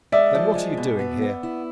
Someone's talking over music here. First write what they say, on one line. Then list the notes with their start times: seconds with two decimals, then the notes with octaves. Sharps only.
"Then what are you doing here?"
0.12 G#3 D5 E5
0.35 F3
0.55 G#3
0.77 B2
0.99 B3
1.22 B3
1.43 E4